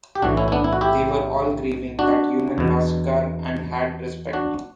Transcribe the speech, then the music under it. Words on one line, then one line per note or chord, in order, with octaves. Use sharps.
They were all grieving that human massacre, and had respect.
G4
B1 A2 E3 D4 F#4
C#4 E4
E4
B3 D4
E4
F#4
E4 G4
D4 F#4
E2 B2
D4 F#4